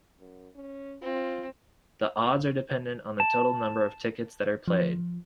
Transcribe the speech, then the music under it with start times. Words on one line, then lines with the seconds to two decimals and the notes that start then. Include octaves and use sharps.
The odds are dependent on the total number of tickets that are played.
0.19 F#2
0.55 C#4
1.02 C4 F4
3.20 A5
4.68 F3